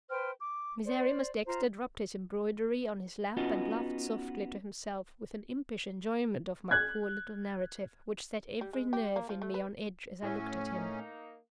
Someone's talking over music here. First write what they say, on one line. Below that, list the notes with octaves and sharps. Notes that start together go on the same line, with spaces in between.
Miserrimus Dexter dropped his embroidery on his lap, and laughed softly to himself, with an impish enjoyment of my poor little narrative, which set every nerve in me on edge as I looked at him.
B4 C5 G5 F6
D6
C5 D5
F4 C5 A#5
B3 C#4 D#4 F4 F#4
F#6 G#6
G3
G#3
G4
A#3
F3
A3
B4
A2 F#3 C#4 E5 G#5
A#3 D#4